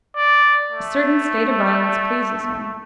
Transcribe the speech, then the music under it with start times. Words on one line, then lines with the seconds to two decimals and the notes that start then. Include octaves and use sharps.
A certain state of violence pleases him.
0.16 D5
0.72 A3